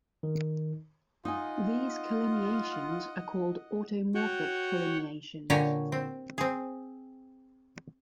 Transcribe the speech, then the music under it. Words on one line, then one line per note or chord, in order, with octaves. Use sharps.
These collineations are called automorphic collineations.
D#3
D#4 F4 D#5 F#5 G#5
F#4 C#5 F#5 G5
A#2 D3 G4 C#5 G#5 A#5
C4
C4 G#4